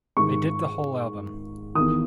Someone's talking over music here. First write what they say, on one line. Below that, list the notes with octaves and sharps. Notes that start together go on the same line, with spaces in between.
They did the whole album.
G#2 D#3 C#6
E2 D#3 D#6